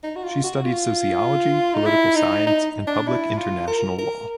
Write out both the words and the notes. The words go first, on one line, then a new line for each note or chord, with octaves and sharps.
She studied sociology, political science and public international law.
D#4
F#4
F4
F#4
F4
D#4
E4
D#4
D#4
D4
E4
F4
A#4
A#4